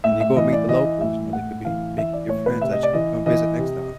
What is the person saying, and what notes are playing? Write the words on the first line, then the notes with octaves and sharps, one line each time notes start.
And you go meet the locals, you know? They could be make your friends that you come visit next time.
A2 E5
E5
E3 D#5
D5
E3 D#5
D#5
A2 E5
A2 F#5
E3 F5
E3 E5
D5
A2 C#5
B4
C3 E5
D#5
D5
E3 D#5
E3 D#5
C3